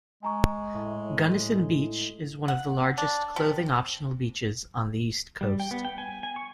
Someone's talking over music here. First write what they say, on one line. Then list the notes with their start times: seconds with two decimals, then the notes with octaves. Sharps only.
Gunnison Beach is one of the largest clothing optional beaches on the East Coast.
0.23 G#3 G#5 A#5 C#6
0.74 A2
2.48 F#5
2.98 D4
3.36 C3
5.41 G3
5.60 G5
5.71 B3
5.85 G5
5.98 G#5
6.23 G#5
6.36 C#6